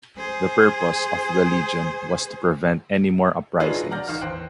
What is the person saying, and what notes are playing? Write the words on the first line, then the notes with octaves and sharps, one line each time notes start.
The purpose of the legion was to prevent any more uprisings.
G#4 C5
D4 D#4 F4 G#4 B4 C#5
D#3 F#3
D5 F#5 A#5 F6 G6 A#6
A1 D#3 F5 F6
E2 C5 G5 F#6